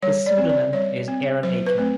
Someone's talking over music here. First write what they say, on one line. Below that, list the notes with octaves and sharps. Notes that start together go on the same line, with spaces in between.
His pseudonym is Aaron Aachen.
G3 C#5
D5
C4
D5
G3 C#5
C4
F#3 C5
B4
A3 C4